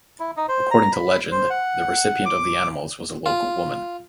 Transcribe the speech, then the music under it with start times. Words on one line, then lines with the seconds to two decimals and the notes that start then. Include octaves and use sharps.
According to legend, the recipient of the animals was a local woman.
0.20 E4
0.37 D#4
0.49 C5
0.71 A#5
0.93 B5
1.31 C5
1.50 F#5
2.26 D6
3.26 F4